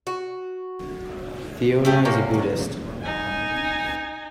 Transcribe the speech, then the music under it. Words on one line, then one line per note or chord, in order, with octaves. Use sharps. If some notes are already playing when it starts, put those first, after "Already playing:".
Fiona is a Buddhist.
F#4
A3 G4 G#4
C3 A#3 C#4 F#4
D#4 G#5